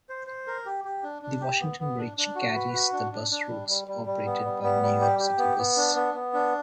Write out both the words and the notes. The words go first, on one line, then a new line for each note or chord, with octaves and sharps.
The Washington Bridge carries the bus routes operated by New York City Bus.
C5
C5
A#4
G4
G4
D4
D4
G4
B3
B3
D4
D4
F#4
B4
F#4
D4
D4
D4
G3
G3
G3
G3
B3
G3
B3
G3
G4
G4
B3
B3
D4
B3
B3
D4